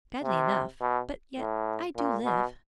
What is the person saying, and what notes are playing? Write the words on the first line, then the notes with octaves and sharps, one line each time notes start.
"Badly enough; but yet I do live."
C3
B2
A2
A#2
B2